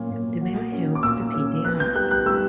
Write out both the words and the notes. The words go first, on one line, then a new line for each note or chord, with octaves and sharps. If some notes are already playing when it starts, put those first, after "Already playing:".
The male helps to feed the young.
Already playing: A#2 F#3 C#4
A#2
F#4
C#4
D6
A#2 E6
C#4
B3 F#6
G6
G3 F#6
F#6
G3 E6